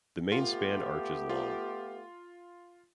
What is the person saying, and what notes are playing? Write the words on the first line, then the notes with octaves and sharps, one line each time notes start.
The main span arch is long.
A3 B3 F4 G4
F4